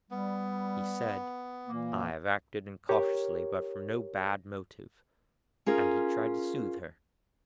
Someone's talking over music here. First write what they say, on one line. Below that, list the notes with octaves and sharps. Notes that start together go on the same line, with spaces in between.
He said, 'I have acted incautiously, but from no bad motive,' and he tried to soothe her.
G3 B3
A#2 E3 A#3
G4 A#4 C#5
C#4 F4 G#4 A#4